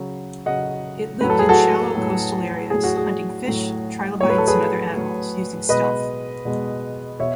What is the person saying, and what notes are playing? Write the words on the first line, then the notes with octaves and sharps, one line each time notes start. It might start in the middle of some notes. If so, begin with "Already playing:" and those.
It lived in shallow coastal areas, hunting fish, trilobites and other animals using stealth.
Already playing: C#3 F#3
C#3 F#3 D#5 F#5
A2 F#3 B4
A4
G#4
F#4 A4
A2 F#3
A2 F#3 G#4
F#4
G#4
A2 F#3
A2 F#3 C#5
B4
A4
G#4 B4
A2 F#3
B2 G#3 B4 D#5
B2 G#3
B2 C#5 E5